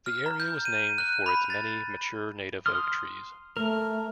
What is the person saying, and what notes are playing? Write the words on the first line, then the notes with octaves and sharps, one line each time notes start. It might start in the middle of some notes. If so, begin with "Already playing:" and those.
The area was named for its many mature native oak trees.
F6
A#5
G6
D#7
F#6
B5
A6
C6 D#6 F6
A3 A#4